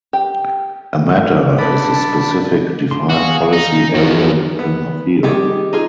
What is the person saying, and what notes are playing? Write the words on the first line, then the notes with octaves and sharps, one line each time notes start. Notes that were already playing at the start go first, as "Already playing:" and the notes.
A Matter is a specific defined policy area within a Field.
G4
B2 D3 D5 A5 B5
D3 C6
F#4 G#4 F5
D#4
F#2 F3 D#4 F#4
B3
D#3 G3 G4 G#4
D#4 F4 G#4